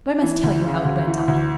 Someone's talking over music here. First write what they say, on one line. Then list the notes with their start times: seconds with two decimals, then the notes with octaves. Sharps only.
But I must tell you how it went off.
0.22 E3
0.43 D2
0.64 C#3
0.85 D2
1.07 E3
1.28 D2